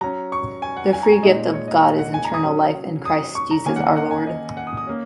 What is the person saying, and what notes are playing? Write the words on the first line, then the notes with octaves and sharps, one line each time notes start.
The free gift of God is eternal life in Christ Jesus our lord.
F#3 C#4 A#5
C#6
G#5
F#5
G#5
A#5
G#5
A#2 G#3 D#4 D#5
C#5
D#5
D#5
F#5
G#5
A#5
D#6
F#3 C#4
D#6
C#6
A#5
D#3 A#3 C#4 G#5
F#5
D#5
F#5
G#5
D#5
F#5
D#6
D#6
A#3 C#4